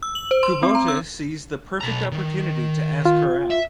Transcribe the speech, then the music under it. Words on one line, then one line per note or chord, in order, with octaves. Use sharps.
Kubota sees the perfect opportunity to ask her out.
E6
F#7
C5
C6
C4
A#5
E6
B1 A#5
D#3
F4
E5